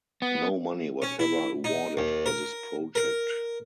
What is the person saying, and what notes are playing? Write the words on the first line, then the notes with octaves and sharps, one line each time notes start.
No money was ever awarded for this project.
B3
C#4
E4
D#4
D#2
A#4
A#4